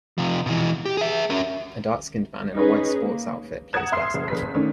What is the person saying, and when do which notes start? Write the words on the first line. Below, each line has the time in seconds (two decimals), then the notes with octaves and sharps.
A darkskinned man in a white sports outfit plays basketball.
0.18 C3 F3
0.46 B2 E3
0.85 G4
0.97 G#4 E5
1.30 C#4 A#4
2.53 C#4 D#4 G#4 B4
2.99 A#3
3.73 F#5 A#5 D#6 G#6 E7
3.92 E5 C6 F6 C7
4.14 F#1
4.28 F#1 B4 B6
4.54 D#3 A3 C#4 D4